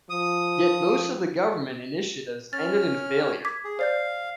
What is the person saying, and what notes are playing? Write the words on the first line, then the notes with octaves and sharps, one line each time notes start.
Yet most of the government initiatives ended in failure.
F3 D#6
C#4 F6 A6
D6 G#6 B6
G#4
C5 D5 F5 G6